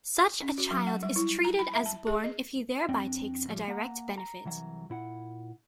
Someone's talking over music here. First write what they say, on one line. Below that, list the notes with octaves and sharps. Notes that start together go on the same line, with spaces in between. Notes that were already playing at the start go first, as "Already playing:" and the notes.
Such a child is treated as born if he thereby takes a direct benefit.
C#4
F#4
F#3
F#5
G3
E4
A#5
B5
E5
A5
G#4
D#5
F2 C4 D4 D#5 G5
A2 F3 G3
A#3 F#5 A#5
A#5
C2 E3 F#3 E5 A#5
A#2 E4 F#5